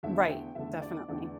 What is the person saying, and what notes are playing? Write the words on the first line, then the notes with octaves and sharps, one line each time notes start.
Right. Definitely.
E2 D3 A3 D4 E5
E5
G5
E2 D3 A3 D4 E5
D5
E2 D3 A3 D4 D5